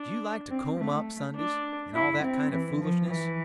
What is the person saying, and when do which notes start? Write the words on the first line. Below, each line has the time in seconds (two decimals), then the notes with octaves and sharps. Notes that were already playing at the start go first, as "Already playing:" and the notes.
Do you like to comb up Sundays, and all that kind of foolishness?
Already playing: D4
0.50 C4
0.79 A3
1.36 D4
1.93 E4
2.24 C4
2.52 E3
2.81 F3
3.09 E3